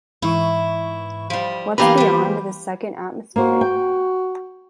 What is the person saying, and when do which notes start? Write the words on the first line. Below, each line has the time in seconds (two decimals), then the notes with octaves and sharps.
What’s beyond this second atmosphere?
0.22 G#2 E3 E4 C#6
1.30 F3 G3
1.78 E3 A#3 B3 G4 A#4 B4 D#5 F5
1.98 F3 G3
3.36 A#3 F#4 C5
3.61 G5